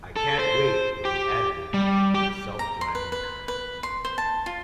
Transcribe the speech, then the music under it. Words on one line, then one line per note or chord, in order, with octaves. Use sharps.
I can't wait for the advent of self driving cars.
A4
C5
G4
G3
G4
A#5
C6
B4
B4
B4
C6
C5
A5
F4